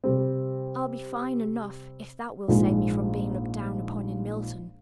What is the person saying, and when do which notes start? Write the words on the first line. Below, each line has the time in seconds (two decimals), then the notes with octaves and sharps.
I'll be fine enough, if that will save me from being looked down upon in Milton.'
0.04 C3 G3 C4
2.48 A#1 G#2 F3 G#3